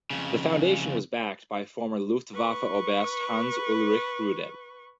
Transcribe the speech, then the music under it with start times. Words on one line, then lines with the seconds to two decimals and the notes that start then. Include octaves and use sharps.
The foundation was backed by former Luftwaffe Oberst Hans-Ulrich Rudel.
0.10 F2 C#3
2.33 B4 C#6